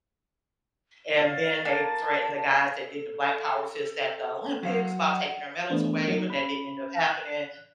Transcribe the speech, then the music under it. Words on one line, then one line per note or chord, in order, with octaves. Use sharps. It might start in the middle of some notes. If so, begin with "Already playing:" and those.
And then they threatened the guys that did the Black Power fist at the Olympics about taking their medals away, but that didn't end up happening.
C#5 D5 F5 A6
A#3 A5
A4
F#3 F5 F#5
E3 A3 B3 D4
F#3 A#3 D#4
C#4 B5
F#6